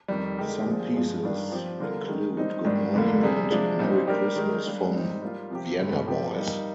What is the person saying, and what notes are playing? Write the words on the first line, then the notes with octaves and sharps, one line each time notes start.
Some pieces include "Good Morning" and "Merry Christmas from Vienna Boys".
F2 D#3 G3
D3 G#3 D#4 G4 A#4
A#2 F3 G#3 C4
G2 F3 G#3
G2 D#3 G3 A#3 D4
F3 C4 G4
D3 G3 D4 F4 A#4
D#3 G#3 D#4
G3 C4 D#4
G#2 D#3 G3 D4
F2 D3 G3 A#3
C3 G3 D4 G#4
C3 F3 G#3 D4
A#2 G3 C4 D#4
G3 D4 G4 A#4
D#3 G#3 D#4 A#4
G3 A#3 D4
G#2 G3 C4 D#4
G3 A#3 F4
C3 F3 C4 G4
G2 D3 G3
C3 F3 C4 G4
G3 A#3 D#4